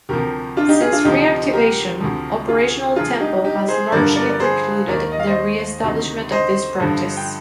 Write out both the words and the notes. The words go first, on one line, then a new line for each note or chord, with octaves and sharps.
Since re-activation, operational tempo has largely precluded the re-establishment of this practice.
D2 C3 F3 G4 A#4
D4 F4
D#4 G4
F4 G#4
D4 F4
D2 C3 F3 D#4 G4
G4 A#4
D2 C3 F3
F4 G#4
C2 C3 F3 F4 G#4
D#4 G4
D#4 G4
G#4 C5
G2 D3 F3 A#4 D5
A#4 D5
D5
G#4 C5
D#2 D#3 A#4 D5
D#5
F5
C5 D#5
D2 C3 D#3
C5 D#5
G2 D3 F3
G5